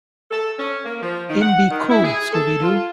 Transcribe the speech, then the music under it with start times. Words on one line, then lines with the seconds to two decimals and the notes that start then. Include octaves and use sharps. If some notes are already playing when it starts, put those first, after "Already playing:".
In Be Cool, Scooby-Doo!
0.31 A4
0.58 C#4
0.85 A#3
1.02 F3
1.30 D#3
1.41 F#5
1.71 D#3
1.90 E4
2.04 G#4
2.33 A4
2.62 F4